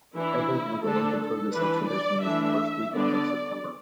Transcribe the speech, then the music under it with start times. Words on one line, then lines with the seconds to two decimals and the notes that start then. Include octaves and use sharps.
Every year, the local produce exhibition is the first weekend of September.
0.16 E3 D4 E4
0.85 D3 A3 D4 A4
1.20 A4
1.54 E3 D4 B4
1.89 D5
2.24 E3 A3 D4 E5
2.93 D3 B3 D4 D5